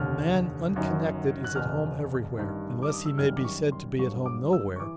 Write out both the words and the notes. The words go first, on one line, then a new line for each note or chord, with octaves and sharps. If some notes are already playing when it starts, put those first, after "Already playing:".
A man unconnected is at home every where; unless he may be said to be at home no where.
Already playing: F1 D#2 D3 F6
G1 F#2 D#3 F#3
F#6
F#1 E2 B2 F6
A1 G2 D#3
D6
D#6
E6
G#1 F#2 D#3 G3 F6
D6
C#6
C6
G1 G2 D3 F#3 C#6
D6
E6
C#6
E3 D6